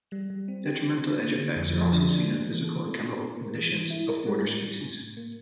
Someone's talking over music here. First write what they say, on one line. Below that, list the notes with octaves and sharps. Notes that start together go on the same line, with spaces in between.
Detrimental edge effects are also seen in physical and chemical conditions of border species.
G3
G3
C4
G4
C4
D3
A#3
D3
F2
F3
D3
D4
A#3
E3
A4
A4
D4
A#4
A#3
E3
E3
E4
A#4
G3
A2
G3
A2
A2
A#3